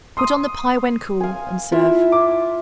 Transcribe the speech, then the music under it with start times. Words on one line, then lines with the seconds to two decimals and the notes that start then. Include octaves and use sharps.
Put on the pie when cool and serve.
0.17 C6 D#6
1.20 F5 G#5
1.72 E4 F4 E5
2.12 D6